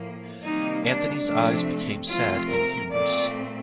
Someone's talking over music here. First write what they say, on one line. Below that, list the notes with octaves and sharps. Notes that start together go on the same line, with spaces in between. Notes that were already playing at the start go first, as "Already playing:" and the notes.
Anthony's eyes became sad and humorous.
Already playing: A2 F3 A#3
C3 D#3 G3 A#3 D#4
D4
C3 F3 A3 C4 D4
C3 F3 A3 C4 F4
A#4
A#2 A3 C4 D5